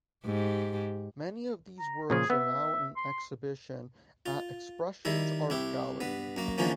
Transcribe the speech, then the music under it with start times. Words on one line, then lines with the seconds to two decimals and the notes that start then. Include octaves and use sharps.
Many of these works are now in exhibition at Expressions Art Gallery.
0.25 G#2 G4
1.79 A#5
2.10 A#2 C#3 F3 G#4
2.30 B3 E5
2.96 C6
4.26 F4
5.05 D#3 G3 E4
5.50 C2 E4 G4
6.01 G2 B3
6.36 F#2 A#3
6.58 E2 D3 E3 F3 A#3 C#4